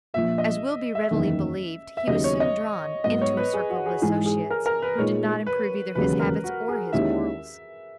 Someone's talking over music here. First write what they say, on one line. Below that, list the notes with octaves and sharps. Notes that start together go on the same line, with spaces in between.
As will be readily believed, he was soon drawn into a circle of associates who did not improve either his habits or his morals.
A#1 A#2 A#3 E5
D#5
E5
F#1 E2 D#3
E5
D#2 C#3 F#3 B3 D#4 D#5
C#5
D#5
G#2 F#3 B3 D#5
C#5
B4
G#4
F#4
G#4
G#2 E3 G#3 D#4 G#4
G#4
A#4
A#4
B4
A#2 G#3 D#4 C#5
B4
E1 D#2 C#3 F#3 B4
A#4
F#4
G#4
D#2 D#3 G#3 C#4 E4 E5